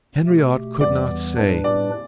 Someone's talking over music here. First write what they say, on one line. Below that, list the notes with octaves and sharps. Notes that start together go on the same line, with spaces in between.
Henriot could not say.
B2 A3 G4
E2 E3 G3 B3 D5
A2 G3 D4 B4
D5